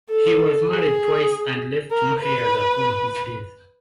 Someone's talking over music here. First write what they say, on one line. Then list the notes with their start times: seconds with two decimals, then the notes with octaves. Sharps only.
He was married twice and left no heirs upon his death.
0.10 A4
0.70 G#4
1.91 A#4
2.20 B4